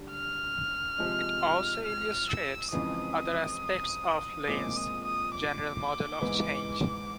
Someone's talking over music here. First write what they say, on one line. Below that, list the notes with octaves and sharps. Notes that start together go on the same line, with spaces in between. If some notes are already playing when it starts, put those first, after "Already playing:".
It also illustrates other aspects of Lewin's general model of change.
Already playing: D3 G3
F6
C3 F3 G#3
F6
E6
F2 C#3 E3 G#3 C4 D#6
A#2 F3 G#3 C4 D6
D#6
D#6
D6
G#2 E3 G#3 B3 E4